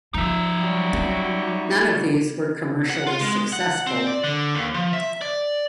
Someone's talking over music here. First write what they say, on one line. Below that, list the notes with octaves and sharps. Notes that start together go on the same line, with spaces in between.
None of these were commercially successful.
F3 D#4 E5
F#3 G3
C#4
F#5
F4
G#3
F#5
C4
D5
D3
D#2
F3
E5
D5